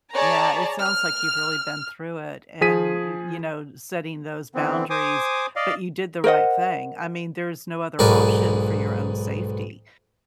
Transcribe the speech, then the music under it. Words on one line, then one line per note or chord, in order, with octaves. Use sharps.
Yeah, it sounds like you've really been through it, and, y you know, setting those boundaries, but you did the right thing, I mean, there's no other option for your own safety.
G#4 C#5 D5 A5 A#5
F6
F3 G#4 B6 D#7
D3 E3 B3 C4
C5 G#5 D6 D#6
D5 D#5 F5
A#4 C5 D#5 F#5
B1 G#2 A#4 B4 D5 G#5